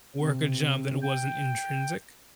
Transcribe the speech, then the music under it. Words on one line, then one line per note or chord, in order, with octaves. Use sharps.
work a job that wasn't intrinsic,
C3
G5